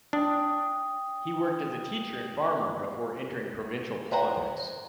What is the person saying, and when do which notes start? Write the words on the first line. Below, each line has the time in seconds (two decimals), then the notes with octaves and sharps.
He worked as a teacher and farmer before entering provincial politics.
0.13 D4 G5 D#6
4.11 B4 C5 F#5 A#5